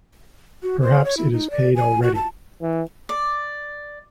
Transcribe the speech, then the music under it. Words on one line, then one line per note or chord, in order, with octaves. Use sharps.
Perhaps it is paid already.
F#4
C5
C#5
E4
D#4
D5
G#5
F#4
A5
E3
D5